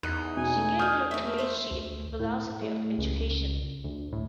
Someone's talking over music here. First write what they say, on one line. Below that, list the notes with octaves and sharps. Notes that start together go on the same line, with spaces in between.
She gained her PhD in philosophy of education.
E2 D#4 F#6
B2 G#5
A3
D4 D#4 D#6 F6 G6
A2 A3 E5
C5 E5
D2
A2
A2
C#2
D2
A2